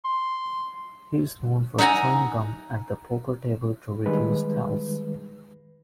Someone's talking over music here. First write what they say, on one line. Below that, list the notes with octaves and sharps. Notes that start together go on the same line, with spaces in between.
He is known for chewing gum at the poker table to reduce tells.
C6
D#4 E5 F#5 G#5 A#5
D#3 G3 G#3 B4